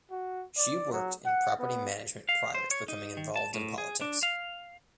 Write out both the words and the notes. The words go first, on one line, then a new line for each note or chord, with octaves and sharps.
She worked in property management prior to becoming involved in politics.
F#4
D5
F#3
F#5
B3
F5
C5
C#5
D#4
D#3
A5
A2
G#4
D4
F5